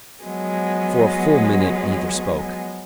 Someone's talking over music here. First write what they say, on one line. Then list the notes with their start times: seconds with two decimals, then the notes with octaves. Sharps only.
For a full minute neither spoke.
0.24 F3 F#3 G#3 B3